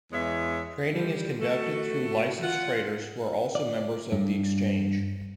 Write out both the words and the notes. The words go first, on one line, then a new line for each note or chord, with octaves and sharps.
Trading is conducted through licensed traders who are also members of the Exchange.
E2 G#3 C#5 E5
D3 F3 G3
A3 F#4 A4
F4 F#5
D5
G2